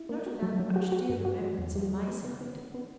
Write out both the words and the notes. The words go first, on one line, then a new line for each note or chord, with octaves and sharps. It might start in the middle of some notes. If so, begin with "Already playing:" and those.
Not without much dear remembrance on my side.
Already playing: E4
A#3
F#4
F#3
F#3
F#4
F#4
G2
F#4
F#3
E2
G3
G3
B3
B3
B3
B3
B3